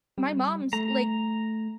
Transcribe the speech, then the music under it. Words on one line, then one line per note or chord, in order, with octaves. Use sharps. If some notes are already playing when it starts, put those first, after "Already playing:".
my mom's, like,
G3
A3 A#5